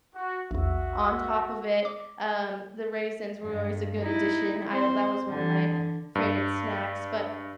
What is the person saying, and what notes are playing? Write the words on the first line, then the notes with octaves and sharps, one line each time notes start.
on top of it, um, the raisins were always a good addition, l that was one of my favorite snacks, but,
F#4
A#1 E2 F#4 E5
D6
G2
D#4 E4
C4 C5
D3 E3
G2